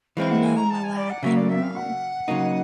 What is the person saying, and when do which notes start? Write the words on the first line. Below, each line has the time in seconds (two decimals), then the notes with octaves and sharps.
No, my lad, I know.
0.17 E3 G#3 C4 E4 F5
0.30 F#5
0.43 G#5
0.56 A#5
0.70 A5
0.83 G#5
0.96 D5
1.09 F#5
1.22 C#3 F#3 A#3 E5
1.36 D5
1.49 E5
1.62 F5
1.75 F#5
2.28 C#3 F#3 A#3 D#4